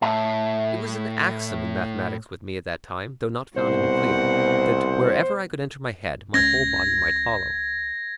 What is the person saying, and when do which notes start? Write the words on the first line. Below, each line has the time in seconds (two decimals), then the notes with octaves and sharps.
It was an axiom in mathematics with me at that time, though not found in Euclid, that wherever I could enter my head, my whole body might follow.
0.02 A2 E5 A5
3.56 C2 B2 C5 F#5
6.34 C#2 C#4 G#6 A#6